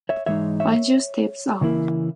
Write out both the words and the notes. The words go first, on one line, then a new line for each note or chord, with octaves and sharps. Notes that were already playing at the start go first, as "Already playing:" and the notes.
Banjo Steps Out.
C#5 E5
G#2 E3 G#3 D#4 C#5 E5
C#5 E5
C#3 E3 A#3 E4